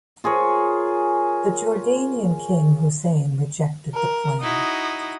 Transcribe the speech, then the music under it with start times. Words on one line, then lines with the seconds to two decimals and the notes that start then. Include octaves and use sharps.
The Jordanian King Hussein rejected the plan.
0.24 F4 G#4 A#4 C#5
3.95 A#4
4.42 D#4 E4 F#4 D#6